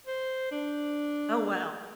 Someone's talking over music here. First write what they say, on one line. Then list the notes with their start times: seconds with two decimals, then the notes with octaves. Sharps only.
Oh, wow.
0.07 C5
0.51 D4